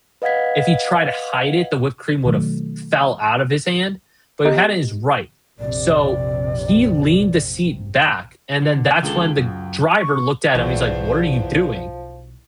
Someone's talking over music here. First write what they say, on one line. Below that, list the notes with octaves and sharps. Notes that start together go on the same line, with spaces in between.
if he tried to hide it, the whipped cream would have f fell out of his hand, but he had in his right. So, he leaned the seat back, and then that's when the driver looked at him, he's like, "What are you doing?"
B4 D#5 F5 F#5 G#6 B6
B2 D#3 F#3 A3
B3 G4 D#5 A#5 G6 A6
A#1 F2 C3 D5
D3
C#2 D3 G#3 A4
F#2
C#6
B1 E2 F3